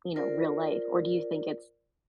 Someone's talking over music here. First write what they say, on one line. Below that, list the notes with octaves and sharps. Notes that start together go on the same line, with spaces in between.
you know, real life, or do you think it's
F4 A#4 C5 D5